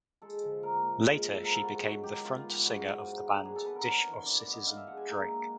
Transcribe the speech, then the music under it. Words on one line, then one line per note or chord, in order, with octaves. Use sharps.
Later she became the front singer of the band "Dish Of Citizen Drake".
G#3 A4
F3
A#2 A#4
A#2
G#3
F3
A4
B3 A#4
A4
G#3 F#4
F#4
F#3 F#4
D#3 G4
D#3 F4
B3
G#2 F#4
F#3
G#2
D#3
D4 G#4
A4
B3 B4
A#4
D4 C#5
E3
E3 D5
D5
B3
D#5
D4 F5
E5
G#3 F#5
G#5
A#3
D#4